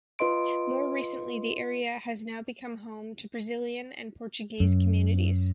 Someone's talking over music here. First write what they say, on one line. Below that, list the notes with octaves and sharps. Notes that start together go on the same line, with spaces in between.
More recently the area has now become home to Brazilian and Portuguese communities.
F4 B4 D#5 C6 D7
F#2